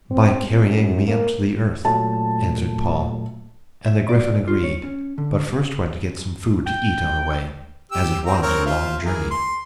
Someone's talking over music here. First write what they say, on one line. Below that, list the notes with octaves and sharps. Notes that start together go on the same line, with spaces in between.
'By carrying me up to the earth,' answered Paul; and the griffin agreed, but first went to get some food to eat on the way, as it was a long journey.
C4
F#2
A#3
A#2 F#3 A3 A5
E5
D5
F4
C#5
C#4
D3
G5
G4 E6
C4 A#5
C4 A#4 C#5
F4 C5 E5
E3 G#4 A#4
C6